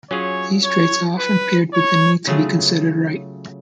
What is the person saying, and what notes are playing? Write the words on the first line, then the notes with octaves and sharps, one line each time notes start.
These traits are often paired with the need to be considered "right".
F#3 C#4 F4 G#4 C#5
C#5
B4
C#5
C#3 F#3 A3 F4 G#4